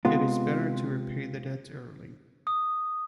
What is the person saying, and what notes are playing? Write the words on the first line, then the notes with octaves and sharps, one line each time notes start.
It is better to repay the debt early.
C3 G#3 B3 F4
D#6